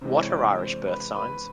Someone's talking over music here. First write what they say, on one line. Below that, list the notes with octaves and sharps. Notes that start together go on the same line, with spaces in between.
What are Irish Birth Signs?
C3 E3 G#3 C5
C#5
D5
C5
B4
B4